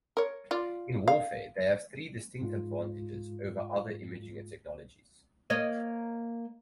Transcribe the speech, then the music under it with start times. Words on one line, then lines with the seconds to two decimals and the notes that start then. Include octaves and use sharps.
In warfare, they have three distinct advantages over other imaging technologies.
0.17 A#4 C#5
0.51 F4 D5
1.08 F5
2.41 G#2 G#3 F4
5.50 A#3 C#5 D#5